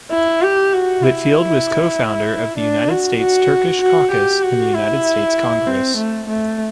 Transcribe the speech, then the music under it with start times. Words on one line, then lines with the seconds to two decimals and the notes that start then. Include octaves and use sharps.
Whitfield was Co-Founder of the United States Turkish Caucus in the United States Congress.
0.12 E4
0.42 G4
0.73 F#4
1.03 E4
2.58 D4
2.89 F#4
3.20 F#4
3.82 F#4
4.12 G4
4.43 F#4
4.74 E4
5.67 C4
5.97 A3
6.29 A3